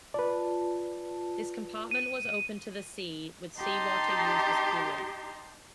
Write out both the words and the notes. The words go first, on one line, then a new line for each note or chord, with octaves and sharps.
This compartment was open to the sea, with seawater used as coolant.
F4 B4 D5 A5
D#7
D#4 G4 A5 A#5 C6